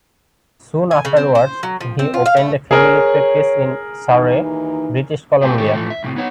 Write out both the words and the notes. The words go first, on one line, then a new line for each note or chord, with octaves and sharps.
Soon afterwards, he opened a family practice in Surrey, British Columbia.
G#5
C#3
C4
C5
F#3
F3
C4
F4
F5
A3
G#4 A#4 C#5
D#2 E3 D#4
G3 A3 C4 F4 G4 G#4
D#3 G#3 A3 C#4 G4 C#5
A2 E3 F3 A3
E5
C2 A2 C3
B3 D#4 C#5 F#5